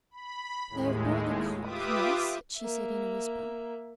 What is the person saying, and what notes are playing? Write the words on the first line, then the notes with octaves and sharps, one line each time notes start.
"They have brought the cock, Miss," she said in a whisper.
B5
D#2 A2 G#3
F4 G4 B4 E5 D6 D#6
A#3 E5